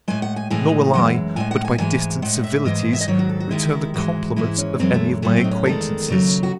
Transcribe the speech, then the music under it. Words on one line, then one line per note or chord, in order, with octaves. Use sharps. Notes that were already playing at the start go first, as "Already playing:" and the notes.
Nor will I, but by distant civilities, return the compliments of any of my acquaintances.
A2 G#3 G#5
F#5
G#5
A2 E3 G#3 G#5
F#2 E3 G#3 F#5
A2 G#3 G#5
F#5
G#5
G#2 E3 G#3 G#5
A2 G#3 F#5
E5
G#2 E3 G#3 D#5
E5
D#5
G#2 D#3 F#3 C#5
F#4
A4
F#4
D#2 D#3 G#3 E4
G#2 E3 G#3 F#4
G#2 E3 G#3 E4
C#4
F#2 E3 G#3 C4
A3
A2 F#3 A3
C4
D#4
C#4
E2 D#3 G#3 A4
D#2 C#3 F#3
F#4